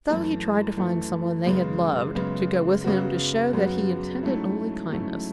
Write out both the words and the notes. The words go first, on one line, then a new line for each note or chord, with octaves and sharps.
So he tried to find some one they had loved to go with him to show that he intended only kindness.
F#2 E3 A3
F#2 E3 A3
F#2 C#3 G#3 B3
F#2 C#3 G#3 B3
F#2 C#3 F#3 B3 F#4
F#2 C#3 F#3 B3 F#4
G#2 F#3 A3 C#4 E4
G#2 F#3 A3 C#4 E4